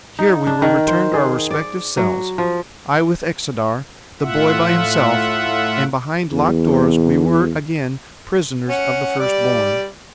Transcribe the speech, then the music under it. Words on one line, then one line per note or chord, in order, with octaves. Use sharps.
Here we were returned to our respective cells; I with Xodar, the boy by himself; and behind locked doors we were again prisoners of the First Born.
D#4
D4
D#3
C5
G#4
D5
F#3
F3
A2 F4 E5 F#5
E2
C#4 F#5
G3 D5